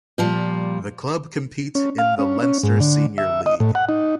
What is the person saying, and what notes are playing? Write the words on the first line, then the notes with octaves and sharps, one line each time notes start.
The club compete in the Leinster Senior League.
A#2 F3 G3
C#4
F5
C#4
C#4
G#2
D3
E5
D#5
A2
F#5
D#4